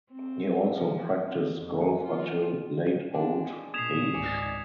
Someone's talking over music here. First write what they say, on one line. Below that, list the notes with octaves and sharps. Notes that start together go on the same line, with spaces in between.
He also practiced golf until late old age.
C4
F3
C4
F2
F4
G#3 D4
A#2 D#6 G#6 B6 C7 E7 F7
G#1 C#2 D5 D#5 G#5 C#7